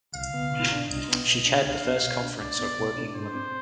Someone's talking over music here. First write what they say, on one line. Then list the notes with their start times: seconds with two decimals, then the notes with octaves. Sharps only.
She chaired the First Conference of Working Women.
0.15 C2 F5
0.34 B3
0.52 B2
0.71 D4
0.89 C2 D#5
1.09 B3
1.28 B2
1.46 D4
1.65 C2 F5
1.85 B3
2.03 B2
2.22 D4
2.40 C2 D5
2.59 B3
2.78 B2
2.97 D4
3.15 G#2 C5
3.34 C4